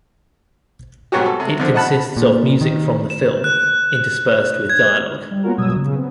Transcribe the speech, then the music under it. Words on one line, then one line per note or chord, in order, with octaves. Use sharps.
It consists of music from the film, interspersed with dialog.
G#2 B2 F#3 C#4 F#4 G4
A4
C3
D3 F3
D#5 F#5 A5 B5
A#2
D#3
E7
F#6
G#6
G3
A#3 B3 C#4 F4 F#4 A#4
G2 B2 F#3 D#6 E6 G#6
C#3
B3 C4